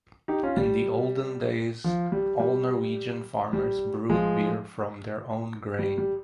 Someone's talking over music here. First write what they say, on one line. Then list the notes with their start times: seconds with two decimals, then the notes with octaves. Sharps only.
In the olden days all Norwegian farmers brewed beer from their own grain.
0.28 D#4 G4
0.43 C#4 F4
0.57 G3
1.84 F3
2.12 G3
2.40 G3
3.53 G3
4.10 F3 G#3
5.79 G3
5.98 G3